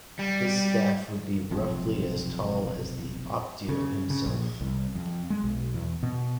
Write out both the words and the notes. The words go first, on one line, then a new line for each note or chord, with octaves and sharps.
This staff would be roughly as tall as the "optio" himself.
G3
F1 B1 F2
C#3
C#3
A#1
C2
F2
G#3
B1
E2
B2